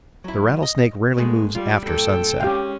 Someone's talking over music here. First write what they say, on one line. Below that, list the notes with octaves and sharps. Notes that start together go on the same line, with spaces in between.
The rattlesnake rarely moves after sunset.
F#3 E4
D#5
G#3 A3 B3 G#4
G3 F4 D5
G2 A#2 A4 G5
G#3 C#4 G4 F5 G5